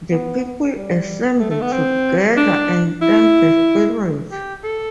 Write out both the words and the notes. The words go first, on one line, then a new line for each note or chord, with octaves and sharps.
The people assemble together and thank the spirit.
B3
G3
A3
A3
B3
C4
D4
E4
G4
A4